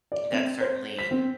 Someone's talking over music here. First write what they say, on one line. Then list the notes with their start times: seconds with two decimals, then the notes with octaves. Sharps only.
that certainly,
0.12 D5
0.32 C4
0.61 C5
0.99 B6
1.11 C4